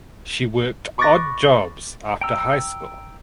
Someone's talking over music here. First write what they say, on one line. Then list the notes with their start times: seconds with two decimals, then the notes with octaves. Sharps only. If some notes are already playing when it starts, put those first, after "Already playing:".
She worked odd jobs after high school.
0.98 B5 C#6 D6 F#6 A6 A#6
2.21 G5 A#5 E6